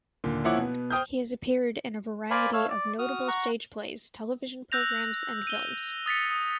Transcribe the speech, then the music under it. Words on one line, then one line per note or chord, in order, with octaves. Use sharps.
He has appeared in a variety of notable stage plays, television programs and films.
D#2 A#2 D3
A#2 F3 E4 C#5 F#5 D6
B2 B3
C5 G5 D#6 F6 G6
A#4 C5 D5 F5 G#5 B5
A3 C#5 F5 E6
D5
F#4 D#6 F6
F#5 A#5 C#6
E6 F#6 G6 A#6 F7
D#7 G7
D#6 A6 B6 C#7
D#6